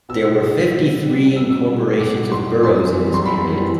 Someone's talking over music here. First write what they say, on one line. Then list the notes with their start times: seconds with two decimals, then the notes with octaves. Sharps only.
There were fifty-three incorporations of boroughs in this period.
0.09 B2 E6
0.42 G3
0.73 B2
1.04 G3
1.35 B2 E6
1.68 G3
1.99 B2 D6
2.31 G3 C6
2.62 F#2 C6
2.94 E3
2.99 G3
3.14 C6
3.26 F#2 B5
3.58 E3 G3